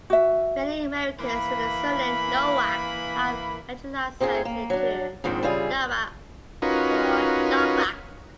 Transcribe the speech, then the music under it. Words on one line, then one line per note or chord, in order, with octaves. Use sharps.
Many Americans with the surname Nowak have Anglicized it to Novak or Novack.
F#4 E5
E3 A#3 B5
C4 D#4 F4 G4 G#4
A#3
F#3 D4
F2 G#2 D#3 C4 D4
C#3 G3 E4 F4 G#4
C#4 D#4 F4 F#4 A#4 B4